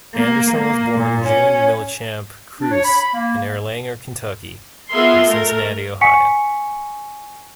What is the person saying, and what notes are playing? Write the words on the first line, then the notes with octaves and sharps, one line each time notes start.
Anderson was born June Millichamp Kruse in Erlanger, Kentucky, near Cincinnati, Ohio.
A#3
A#3
A#2
C#4
D4
C#5
B5
B5
A#3
B3 F4 G#4 A#4 E5 C6
A3 A#4
F#5 G#5 C#6 B6 C#7